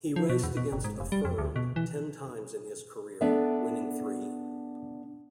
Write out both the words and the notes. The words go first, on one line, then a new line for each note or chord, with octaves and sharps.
He raced against Affirmed ten times in his career, winning three.
F3
B2
E2
B2
G1
G#2
F1
G3
F2
D2
B2
E3
B3 D4 A4 D5 E5